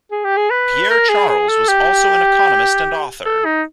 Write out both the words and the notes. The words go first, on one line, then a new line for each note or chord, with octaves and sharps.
Pierre-Charles was also an economist and author.
G#4
G4
G#4
B4
A#4
G#4
G#4
A4
G4
A4
D#4